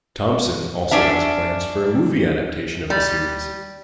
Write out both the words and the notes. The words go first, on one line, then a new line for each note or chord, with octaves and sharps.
Thompson also has plans for a movie adaptation of the series.
C#4 D4 E5
G3